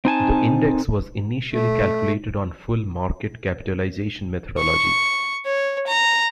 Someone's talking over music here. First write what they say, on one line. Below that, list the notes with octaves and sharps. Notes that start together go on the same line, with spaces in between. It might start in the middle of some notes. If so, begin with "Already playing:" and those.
The index was initially calculated on full market capitalisation methodology.
C4 D#4 G#5 A5
A3
C#6
C#5
A#5